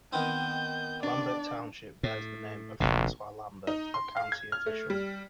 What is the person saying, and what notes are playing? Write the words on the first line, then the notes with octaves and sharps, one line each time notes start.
Lambert Township bears the name of Francois Lambert, a county official.
D#3 B3 C4 G6
D4 D5
A2
F1 A#1 D#2 C3
D#4
C6
F5
G#6
F6
A3
G3